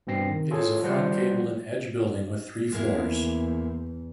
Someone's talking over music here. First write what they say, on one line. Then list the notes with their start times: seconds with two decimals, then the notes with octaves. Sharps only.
It is a front-gabled and edge building with three floors.
0.07 G2 B2 C4 A#6 C7
0.29 D#3
0.51 F4 G#4 A4 C#5
0.83 F3 G3 F#5 C6 G6
2.72 E2 G#3 A#3 E4